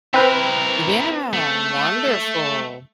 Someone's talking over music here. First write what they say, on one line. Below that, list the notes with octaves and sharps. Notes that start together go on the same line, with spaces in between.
Yeah, wonderful.
C4 E4 A#4 B4
A3